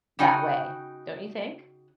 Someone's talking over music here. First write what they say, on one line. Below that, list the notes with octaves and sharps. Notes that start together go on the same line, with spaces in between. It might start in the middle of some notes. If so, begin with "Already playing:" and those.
that way, don't you think?
C#3 D#4 F#4 G5 G#5